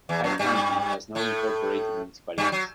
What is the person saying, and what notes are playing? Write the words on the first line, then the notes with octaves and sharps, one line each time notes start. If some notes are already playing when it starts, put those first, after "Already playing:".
Hyde County has no incorporated municipalities.
E2 E3
F#2 F#3
G2 G3
A2 A3
G2 G3
F#3